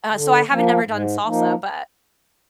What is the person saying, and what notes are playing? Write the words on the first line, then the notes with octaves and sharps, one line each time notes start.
So, I haven't ever done salsa, but
D3
F3 A#3
G#2
F3 A#3 D#4